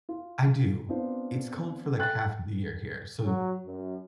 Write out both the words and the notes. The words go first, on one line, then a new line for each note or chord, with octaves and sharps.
I do. It's cold for, like, half of the year here. So,
F4
B3 C4 D4 F4 C5
A4 G5 F#6 A6
F#3
F#2